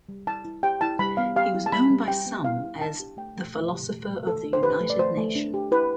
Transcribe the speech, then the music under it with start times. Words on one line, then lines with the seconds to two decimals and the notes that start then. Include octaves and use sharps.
He was known by some as "the philosopher of the United Nations".
0.09 G3
0.27 E4 A5
0.45 E4
0.63 G4 G5
0.81 E4 A5
0.99 G3 B5
1.17 B3 F5
1.36 G4 F5
1.54 E4
1.66 A5
1.73 G3 B5
1.91 G3
2.08 G4 G5
2.26 B3
2.45 E4 F5
2.64 E4
2.81 D4 A5
3.00 G4
3.17 A3 G5
3.36 A3
3.54 A3
3.72 G4
3.90 A3
4.08 A3
4.26 A3 A4
4.44 A3
4.53 C5
4.62 G4 B4
4.81 A3
4.90 D5
4.99 A3 C5
5.17 A3
5.35 D4
5.54 G4
5.71 E4 B4